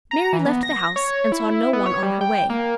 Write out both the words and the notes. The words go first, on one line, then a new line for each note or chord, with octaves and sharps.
Mary left the house, and saw no one on her way.
A#5
E3
B3
A#6
C#5
E4
B3
C#5
G3
G5
A#3